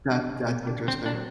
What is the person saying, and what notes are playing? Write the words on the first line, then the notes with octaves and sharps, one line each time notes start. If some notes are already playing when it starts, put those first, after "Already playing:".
That that's interesting.
G3 D4
B2
G3 D4
D3 C4
D4
F#3 C4